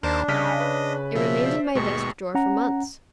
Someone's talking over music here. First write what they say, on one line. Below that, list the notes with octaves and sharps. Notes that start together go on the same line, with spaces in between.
It remained in my desk-drawer for months.
D#2 D4 A#4 C5 A5
C2 C#3 D#5 F6 B6
B4
B2 F3 E5
C5 D5
G#1 D#2 B2 G#3 C#6
C#4 F#5 A#5